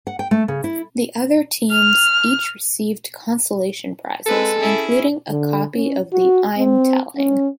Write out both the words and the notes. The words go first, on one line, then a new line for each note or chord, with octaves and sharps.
The other teams each received consolation prizes, including a copy of the I'm Telling!
F#5
G5
A3
C#3
E4
F6
G#3 C4 A4 B4
C#4 E4 G#4
D3
C#4
F#4
C4
C#4